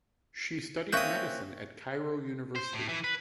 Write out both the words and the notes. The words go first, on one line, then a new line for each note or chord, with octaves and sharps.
She studied medicine at Cairo University.
A#3 C4 C#4 E5 C#6 D#6 F#6 G6
C5
A2
E3
B4